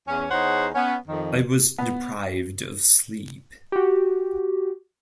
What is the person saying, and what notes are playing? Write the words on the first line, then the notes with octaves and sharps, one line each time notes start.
I was deprived of sleep.
E2 C#4
E2 D#4 G#4 C5 C#5 F#5
B3 C#4
F2 D#3
B3
F#4 G4